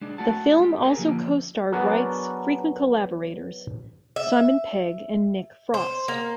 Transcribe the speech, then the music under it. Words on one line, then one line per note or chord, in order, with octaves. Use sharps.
The film also co-starred Wright's frequent collaborators Simon Pegg and Nick Frost.
G#3 D4
A3 E4 F#4 F#5 A5
G#3 G4
B3 G4 G#4 A#4
D3 F3 A#3
F#3 B3 D4 F#4 G#4 A#4
E5
C5
A#3